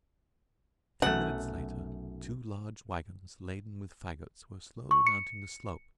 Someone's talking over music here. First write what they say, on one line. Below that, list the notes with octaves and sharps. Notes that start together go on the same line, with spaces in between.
Ten minutes later two large wagons laden with fagots were slowly mounting the slope.
B1 F#2 C3 A3 F#5
C#6
C#7